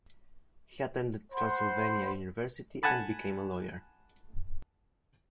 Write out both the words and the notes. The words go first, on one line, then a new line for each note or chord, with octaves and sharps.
He attended Transylvania University and became a lawyer.
C5 F#5 B5 C6
F#5 G#5 A5 B5